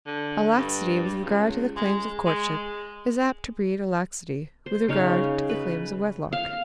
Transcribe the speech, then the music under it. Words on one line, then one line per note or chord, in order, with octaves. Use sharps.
A laxity with regard to the claims of courtship is apt to breed a laxity with regard to the claims of wedlock.
D3
G2
C#2
G#3
G#3
C5
C#3 D#4 C#5 F5
B4
F5